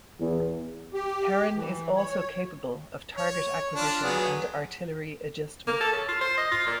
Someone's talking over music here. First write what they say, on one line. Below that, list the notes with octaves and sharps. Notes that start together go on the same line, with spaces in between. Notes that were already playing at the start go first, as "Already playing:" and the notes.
Heron is also capable of target acquisition and artillery adjustment.
E2
G4
E3
C#5
C#5
D4 F4
F#3 B3 G#4
A#3
A4
C#3
F4
C5
D#5
F4
A#2